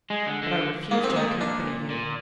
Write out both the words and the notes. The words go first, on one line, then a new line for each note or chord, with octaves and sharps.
But I refuse to accompany you.
G#3
D3
D3
G#2 A#3
C4
C3
A#2 D#4
D4
A#2